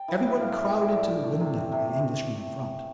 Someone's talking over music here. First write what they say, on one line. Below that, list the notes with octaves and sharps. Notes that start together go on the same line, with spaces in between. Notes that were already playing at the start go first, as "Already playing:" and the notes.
Everyone crowded to the window, the Englishman in front.
Already playing: G5 A5
E3
A2
E5
A2 F5
E3 E5
G4
A2 D5
A3
A2
A3
C3
C3
C3